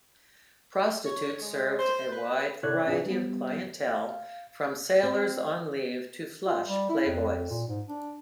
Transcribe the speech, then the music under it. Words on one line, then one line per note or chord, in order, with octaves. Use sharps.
Prostitutes served a wide variety of clientele, from sailors on leave to flush playboys.
C#5
G#3
C5
B4
C3 E4 C#5 D5 F#6 G#6
C4 D4 F4 G#4
G3 B3
F5
C4
F4
G3
E4
F2
A#2
G#2
D4